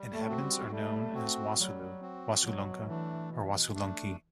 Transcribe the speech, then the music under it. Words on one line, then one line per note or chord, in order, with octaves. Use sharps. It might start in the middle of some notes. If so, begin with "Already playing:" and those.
Inhabitants are known as Wassulu, Wassulunka or Wassulunke.
Already playing: G3
A3
C4 F#4
G3
G3 A3
C4 F#4
F#3 G3
C4 F#4
B2 F#3
E3 A3 D4
B2
A3 D4